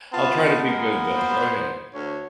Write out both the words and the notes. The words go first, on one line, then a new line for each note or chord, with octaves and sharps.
I'll try to be good though. Go ahead.
B3 F4 A5
G#3 A#3
C5
D2 C#5